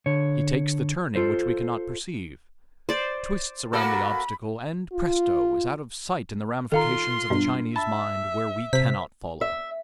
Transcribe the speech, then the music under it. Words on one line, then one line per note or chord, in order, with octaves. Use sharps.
He takes the turning which we cannot perceive, twists around the obstacle, and, presto! is out of sight in the ramifications of the Chinese mind where we cannot follow.
D3 C#5
F4 A4 C5
C5 D5
A#3 F#4 A4 B5
F4
D#3 F4 A4 F5 A#5 C6
G2 B2 D4
E5 A5 B5
C3 C5 B6
E5